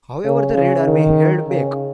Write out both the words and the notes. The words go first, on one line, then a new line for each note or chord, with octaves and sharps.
However, the Red Army held back.
C#3
C#3
D#3
C#3